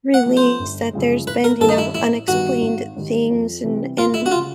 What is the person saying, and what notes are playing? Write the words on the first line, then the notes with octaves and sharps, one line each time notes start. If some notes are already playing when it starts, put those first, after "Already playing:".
released that there's been, you know, unexplained things, and and
F#5
F3 A3 C#4
C5
G1
F#2 C#3 F3 G#3
G#1 B4
A#4
G2 D#3 D#4 A4
E4
A1 E4
G2 D#3 G3 B3 F#4
G#1
G#2 D#3 G3
F2
C3 E3 G3 C4
G#1 F4
E4
F#4
F4
C#3